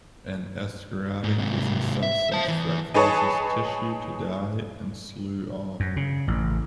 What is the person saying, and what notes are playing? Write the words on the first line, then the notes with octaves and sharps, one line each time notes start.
An escharotic is a substance that causes tissue to die and slough off.
G#2
G#2 C3
E5
C5 A5
E2 E3
D#4 G#4 B4 C#5 A5
F#2
C#3
A1